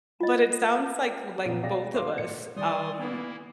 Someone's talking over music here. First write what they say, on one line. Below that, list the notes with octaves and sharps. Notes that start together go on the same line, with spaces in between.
But it sounds, like, like, both of us, um,
F4 D#5
A#2 F3 F#3 B3
B2 G#4 D5 F5 G5 A#6
C#5 E5 F5 C6 D6
A2 C#7
D#3 G3 D5 G#5 C6 D#6
A#3 B3 E4